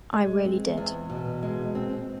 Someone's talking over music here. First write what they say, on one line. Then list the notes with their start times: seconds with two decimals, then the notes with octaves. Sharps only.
I really did.
0.13 G#3
0.45 C4
0.77 E2
1.10 B2
1.43 G#3
1.75 C4